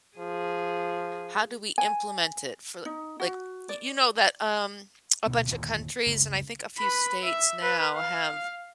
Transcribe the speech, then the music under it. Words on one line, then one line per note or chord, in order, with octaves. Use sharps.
how do we implement it for l like, y you know that, um, a bunch of countries and I think a few states now have
F3 G#4
G#5
D#4
F#4
D5
D1 D2 B2 B3
G1 D#2 A#2
F#1 C#2
B4 B5
E5
B4
F5